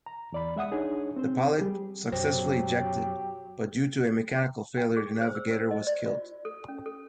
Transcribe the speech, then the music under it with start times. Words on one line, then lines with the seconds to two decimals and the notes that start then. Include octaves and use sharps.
The pilot successfully ejected, but due to a mechanical failure the navigator was killed.
0.06 A#5
0.32 E2 D5 B5
0.56 G#3 E5 F#5 D#6
0.71 D4 D#4 G#4 C#5
1.16 C4 C5
1.58 G3 G4 G#4
2.12 F#2 B2 F#3 G4 C5
4.77 G5
4.97 G#4
5.21 C5
5.35 E6
5.51 C5
5.71 D#5
5.87 D5
6.06 F4
6.45 A4
6.68 C#4
6.86 A4